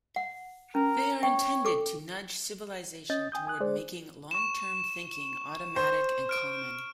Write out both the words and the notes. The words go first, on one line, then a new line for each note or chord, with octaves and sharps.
They are intended to "nudge civilization toward making long-term thinking automatic and common".
F#5
C#4 A#4
C#5 G5
A4 D6
C#4 D#5 D#6 G6 A6
G5 G#5 D#6 G6
G#5 D#6 F#6
G#3 G#4 C5 D5
C#6 E7
C5
F6 D7